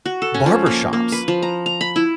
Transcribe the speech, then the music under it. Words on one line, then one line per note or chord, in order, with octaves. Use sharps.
barber shops
F#4
A4
C#4
F3
A#3
A#3
B4
F3
A#5
A#5
B5
E4